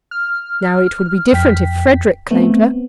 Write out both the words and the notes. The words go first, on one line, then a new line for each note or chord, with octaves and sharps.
Now it would be different if Frederick claimed her.'
F6
F2 G5 B6
A3 B3 C4